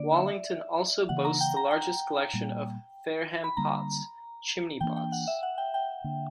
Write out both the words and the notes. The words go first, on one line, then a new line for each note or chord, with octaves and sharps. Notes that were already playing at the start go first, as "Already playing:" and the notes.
Wallington also boasts the largest collection of "Fareham pots" - chimney pots.
Already playing: D3 A#3 D4 D5
E5
C#3 E3 A#3 F#5
A#5
G5
A#5
G5
A#2 G3 A#3
B5
D3 G3 A#3 D4 A#5
E3 A#3 D4 G5
G5
F#5
E5
F#5
G5
G5
D3 A#3 D4